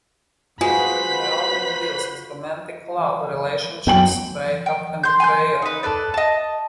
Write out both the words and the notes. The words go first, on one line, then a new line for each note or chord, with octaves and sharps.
The album deals with romantic love, relationships, break up and betrayal.
G#3 F4 F#4 B4 C5 B5 B6
F#2 F#3 B3 G5 F#7
G5
C6 G6
G#5 C6 G6
D#4 B4
A4 B4 D5
D#5 A5